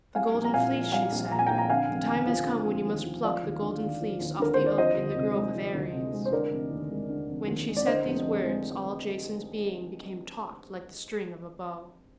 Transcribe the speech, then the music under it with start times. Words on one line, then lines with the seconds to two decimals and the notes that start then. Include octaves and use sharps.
"The Golden Fleece," she said, "the time has come when you must pluck the Golden Fleece off the oak in the grove of Ares." When she said these words all Jason's being became taut like the string of a bow.
0.15 G3 F5 G#5
0.34 A#1
0.44 A#5
0.54 A#2 F5 G#5
0.73 A#1
0.92 G3 F5 G#5
1.12 A#1
1.31 A#2 A#5
1.39 G#5
1.47 G5 A#5
1.50 A#1
1.58 A#5
1.69 D3 F5 G#5
1.89 F1
2.07 D#2
2.27 F3
2.46 D3
2.66 F1
2.85 D#2
3.05 F3
3.23 F3 D5 F5
3.43 D#2
3.62 D3
3.81 D#2
4.01 F3
4.20 D#2
4.39 D3 A#4
4.54 D#2 C5
4.66 D5
4.78 F3 C5 D#5
4.98 D2
5.16 C3
5.36 G#3
5.55 F3
5.74 D2
5.93 C3
6.13 G#3
6.26 C5
6.32 D3 A#4 D5
6.51 F1
6.71 D#2
6.91 G#3
7.10 D3
7.29 F1
7.47 D#2
7.67 G#3
7.77 D5
7.87 D3 C5 D#5
8.06 F1
8.24 F2
8.45 G#3